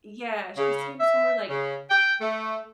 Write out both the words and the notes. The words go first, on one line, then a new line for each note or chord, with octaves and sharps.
Yeah, she seems more, like,
C#3
E5
C#3
G5
A3